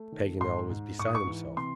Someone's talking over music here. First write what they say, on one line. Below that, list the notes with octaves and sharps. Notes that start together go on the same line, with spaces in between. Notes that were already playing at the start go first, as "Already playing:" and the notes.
Paganel was beside himself.
Already playing: A3
D#3
G#2 C6
G#2
G#2 C#6
D#6
C#6
E3
C3 C6